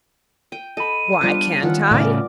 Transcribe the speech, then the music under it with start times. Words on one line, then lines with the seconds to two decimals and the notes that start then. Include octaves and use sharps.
"Why can't I?"
0.52 G5 D#7
0.77 A4 D#5 B5 D#7
1.21 G3 B3 D4 F4 C5
1.62 D#3 C#4 F4 F#5
1.91 A2 C#3 B3 A#4 D5 D6